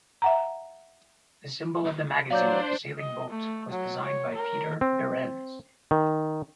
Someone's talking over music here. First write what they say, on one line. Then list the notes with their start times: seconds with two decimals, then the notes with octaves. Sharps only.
The symbol of the magazine, a sailing boat, was designed by Peter Behrens.
0.22 E5 F#5 A#5
2.30 F#3 D4 C5 D5 F5 D6 G6
2.99 D#5
3.30 A3
3.71 F#3
4.05 C#5
4.34 A#4
4.81 C4
5.91 D#3